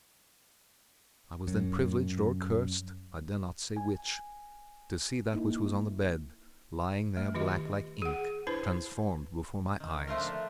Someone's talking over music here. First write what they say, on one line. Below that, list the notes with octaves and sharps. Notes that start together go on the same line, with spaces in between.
I was then privileged or accursed, I dare not say which, to see that which was on the bed, lying there black like ink, transformed before my eyes.
F#2
G#5
A#3 D#4 E4
A3
D#3 F4 G4 D#5
G#4 F#5
D4 E4 B4 C5 B5
D#3
F3 A3 F4 A#4
F3 D4